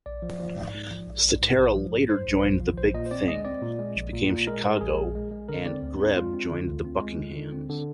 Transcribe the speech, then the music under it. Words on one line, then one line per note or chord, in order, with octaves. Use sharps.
Cetera later joined The Big Thing, which became Chicago, and Grebb joined The Buckinghams.
A#1 D5
F3
F3
G#2
G#2
F3
A#1
A#1
G#2
A#1
F3
G#2
G#2 C5
A#1
A#1
F3
A#1 C5
A#2 D#5
C5
C4 D5
G#3 D#5
C4 D5
A#2
G#3
A#1
A#2
A#2
G#3 A#4
G#3
A#4
A#1 G#4
A#1
G#3
G#3
D3 A#4
C4 D5
D2
C4 D4
G#3 F4
C4
D3
D2
C4
G#3
D3
D3
C4
D3